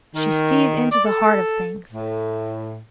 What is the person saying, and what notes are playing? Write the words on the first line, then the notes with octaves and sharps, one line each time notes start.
She sees into the heart of things.
D#3
D5
A4
A2